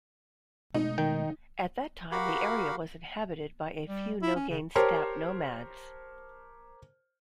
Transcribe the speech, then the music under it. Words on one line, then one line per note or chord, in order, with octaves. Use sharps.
At that time the area was inhabited by a few Nogain steppe nomads.
B2 G#3 A3 D#4
D#3 G5
F#4 G4 A#4 F5 F#5 B5
G3
E4
C#4
C#3
G4 A#4 C5 C#5 A5